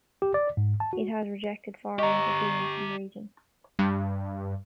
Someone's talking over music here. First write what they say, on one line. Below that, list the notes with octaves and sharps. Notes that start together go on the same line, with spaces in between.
It has rejected foreign interference in the region.
G4
D5
G#2
A5
F#4
G4 D#5 A#5 C#6
G2